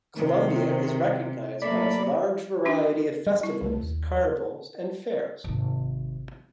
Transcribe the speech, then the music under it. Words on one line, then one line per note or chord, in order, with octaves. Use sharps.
Colombia is recognized by its large variety of festivals, carnivals and fairs.
C3 D#3
F#3 A3 A#3 D5 B5
D4 D#4 F#4
G3
E4
C2 E3 A3
D#2
G#1 C3